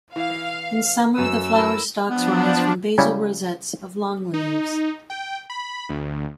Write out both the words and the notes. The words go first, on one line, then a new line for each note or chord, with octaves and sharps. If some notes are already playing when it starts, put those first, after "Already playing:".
In summer the flower stalks rise from basal rosettes of long leaves.
E3 F5
F#2 E6
E4 A#4
F3 B3 D4
C#3 F#3 G3 C#4 E4
D#4
G5
B5
D2